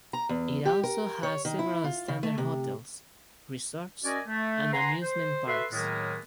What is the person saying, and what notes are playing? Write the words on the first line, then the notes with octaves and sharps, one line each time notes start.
It also has several standard hotels, resorts and amusement parks.
A#5
E2
G4
A#4
C#5
D#3
E4
F4
C#3
A3
C3
C#4 F#4 A#4 D5 D#5 G#5
A3
B4 F#5 G#5 A#5 C6
C5
F#4 A4 B4 E5 C6
A2 D#3 F#3 G#3 A#3 B3